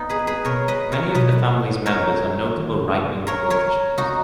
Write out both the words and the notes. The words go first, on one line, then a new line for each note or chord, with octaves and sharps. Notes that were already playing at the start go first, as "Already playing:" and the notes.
Many of the family's members are notable right-wing politicians.
Already playing: B3 D#4
G#4 B4
G#4 B4
B2 A#4 C#5
B4 D#5
A#4 C#5
B2 B4 D#5
A#4 C#5
D#3
C#3
A#2
A#4 C#5
A#4 C#5
C#3 D#4 F#4